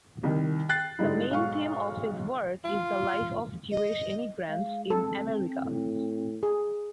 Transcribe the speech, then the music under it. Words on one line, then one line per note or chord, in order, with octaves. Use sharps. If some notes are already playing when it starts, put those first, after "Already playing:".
The main theme of his work is the life of Jewish emigrants in America.
C2 D#3
G5 F#6 A6 C7
G#2 D3 G3 D#4 E4
B1 G#2 F5 C#6
F4
D#5
G#3 F5
C4 A4
A2
G#4